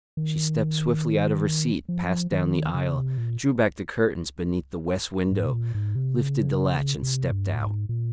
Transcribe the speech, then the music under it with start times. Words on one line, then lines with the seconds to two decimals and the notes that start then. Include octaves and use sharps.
She stepped swiftly out of her seat, passed down the aisle, drew back the curtains beneath the west window, lifted the latch and stepped out.
0.17 D#3
1.89 F3
2.31 D#3
2.74 C#3
2.96 C3
3.18 A#2
5.32 G#2
5.46 C3
5.53 A#2
5.74 G#2
5.95 C3
6.17 C#3
7.02 C3
7.31 G2
7.55 A#2
7.60 G#2
7.89 A#2